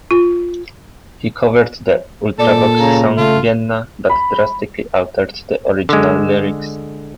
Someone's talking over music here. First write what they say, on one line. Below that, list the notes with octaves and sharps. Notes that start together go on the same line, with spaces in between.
He covered the Ultravox song "Vienna", but drastically altered the original lyrics.
F4
A#2 A4 D5
C#3 A#5
C#3 A3 F4
B5
D3 G#3